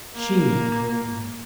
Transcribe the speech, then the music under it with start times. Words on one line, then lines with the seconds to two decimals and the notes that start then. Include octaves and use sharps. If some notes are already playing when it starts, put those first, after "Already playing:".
She had created him.
0.16 A#3